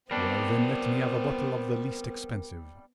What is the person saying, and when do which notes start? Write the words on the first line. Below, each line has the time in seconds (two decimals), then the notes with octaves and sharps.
"Well, then, let me have a bottle of the least expensive."
0.11 G3 B3 C4 D4 A#4 D5 G5